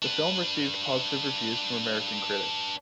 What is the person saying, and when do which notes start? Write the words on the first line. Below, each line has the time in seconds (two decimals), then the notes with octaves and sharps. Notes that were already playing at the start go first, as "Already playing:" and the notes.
The film received positive reviews from American critics.
0.02 D4 B4